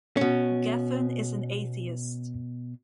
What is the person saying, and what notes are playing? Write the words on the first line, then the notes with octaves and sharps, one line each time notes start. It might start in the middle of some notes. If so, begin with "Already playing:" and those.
Geffen is an atheist.
B2 C#4